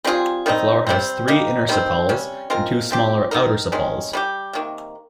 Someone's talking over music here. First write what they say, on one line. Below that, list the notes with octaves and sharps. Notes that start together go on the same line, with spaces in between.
The flower has three inner sepals and two smaller outer sepals.
G3 C4 F4 G#4
D#3 G3 C4 D#4
C3 G3 C4
G3 A#3 D#4
D#3 G3 C4
C3 G3 C#4
G#3 C4 F4 A#4
F3 C4 G4
D#3 A#3 D#4 A#4
C3 D#3 G#3 C#4
G3 C#4 G4
C3 D#3 A#3